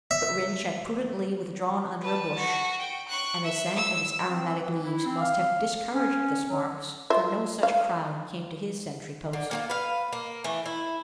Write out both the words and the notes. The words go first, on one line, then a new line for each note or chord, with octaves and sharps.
But Rynch had prudently withdrawn under a bush, and the scent of its aromatic leaves must have discouraged the sparks, for no such crown came to his sentry post.
E5
B4 A5
F#4
G5
C#6 F#6
E5
E6
C4
E3
E4
C4
F5
C#4
F#3
F4 E5
F5
D3
A#3 C4 F4
B4 F5
A#3
E3 A3
E4